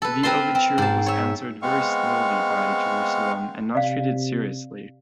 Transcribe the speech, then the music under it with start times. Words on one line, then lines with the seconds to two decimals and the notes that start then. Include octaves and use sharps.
The overture was answered very slowly by Jerusalem and not treated seriously.
0.02 A4 B4
0.23 C4 A#4 B4 A5 C6
0.55 C4
0.78 G#2 A5
1.06 C#5 E5
1.62 G#3 B3 C4 F5 C#6
3.75 C3 D5 F5